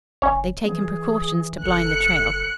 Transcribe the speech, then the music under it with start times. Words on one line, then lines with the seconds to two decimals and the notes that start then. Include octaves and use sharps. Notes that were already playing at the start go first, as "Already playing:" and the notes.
They've taken precautions to blind the trail.
0.22 F#1 C#4 C#5
0.65 E3 G#4
1.63 F#1 A4 F#6 C#7